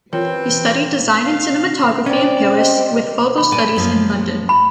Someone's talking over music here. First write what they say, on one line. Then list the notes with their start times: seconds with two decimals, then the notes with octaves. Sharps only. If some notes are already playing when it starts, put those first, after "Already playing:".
He studied design and cinematography in Paris, with further studies in London.
0.13 F#2 E3 C4 F4 G4 A#4 B4 C#5
1.24 F5
2.06 C4 C#4 D5
2.58 G3 D#5
3.38 B5
3.52 A#2 D5 G#5
3.76 F#2 F3 A#3
4.49 B5